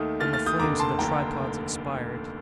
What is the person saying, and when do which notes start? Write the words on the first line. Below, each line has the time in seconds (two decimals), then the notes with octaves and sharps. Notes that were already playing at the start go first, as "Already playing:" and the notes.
And the flames of the tripods expired.
Already playing: D#2 D#3 A3 D#6
0.20 D#2 D#3 A3 F6 A6
0.33 F6 A6
0.46 D#6 G6
0.59 F1 D#2 D3 A#5 D6
0.79 A5 C6
0.99 F1 D#2 D3 G5 A#5